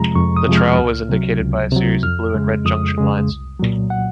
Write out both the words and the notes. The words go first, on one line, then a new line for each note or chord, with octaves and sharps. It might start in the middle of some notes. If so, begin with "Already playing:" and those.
The trowal is indicated by a series of blue and red junction lines.
Already playing: F2 C3 F3 G#3 A#5
F2 C#6
D#6
C3 F3 G#3
F6
C#2
C3 F#3
C#2
C3 F#3
F2 F6
C#3 G#3
F2 D#6
C#3 G#3
C2
A#2 F#3
F#5